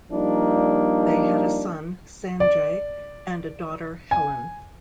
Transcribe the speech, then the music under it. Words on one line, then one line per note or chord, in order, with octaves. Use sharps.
They had a son, Sanjay, and a daughter, Helen.
F3 G3 A#3 D4 D#4
D5
G#5